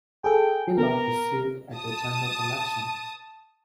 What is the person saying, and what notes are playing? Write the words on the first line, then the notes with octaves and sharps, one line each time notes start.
He lost his seat at the General Election.
G#4 A4 G5
B3 A#4
A5 D#6